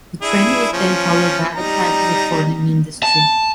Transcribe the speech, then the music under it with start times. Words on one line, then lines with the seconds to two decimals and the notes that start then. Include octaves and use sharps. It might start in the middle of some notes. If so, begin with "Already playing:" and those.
The trend was then followed by other private recording industry.
0.22 D4 E4 G#4
0.72 F3 C#4
1.56 G3 D#4 A#5
3.03 A5